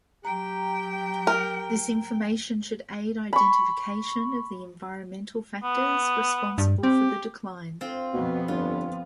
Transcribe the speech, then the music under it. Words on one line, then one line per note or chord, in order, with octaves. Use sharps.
This information should aid identification of the environmental factors responsible for the decline.
F#3 G4 G5 A#5
A#4
B5 C#6
B3
G2
C4 G4
C4 F4
F2 B2 B3
G1 F4